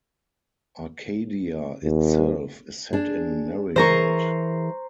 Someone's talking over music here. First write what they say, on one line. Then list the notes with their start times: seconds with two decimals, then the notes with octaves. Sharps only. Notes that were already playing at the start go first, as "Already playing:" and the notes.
Arcadia itself is set in Maryland.
1.83 D#2
2.93 D4 G#4
3.76 E3 G#4 A#4 C5 A#5 C#6